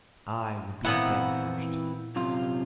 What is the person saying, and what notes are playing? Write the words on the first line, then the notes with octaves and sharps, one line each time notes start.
I would be dead first!
A#2 E3 B3 C4 E4 F#5
F#2 C3 F4